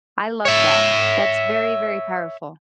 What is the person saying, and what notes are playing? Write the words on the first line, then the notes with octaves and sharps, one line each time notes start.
I love that. That's very, very powerful.
C#5 E5